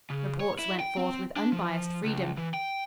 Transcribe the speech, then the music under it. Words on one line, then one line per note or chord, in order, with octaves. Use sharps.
Reports went forth with unbiased freedom.
C#3
C#5
E4
G5
C4
D4
F3
C#2
E3
G5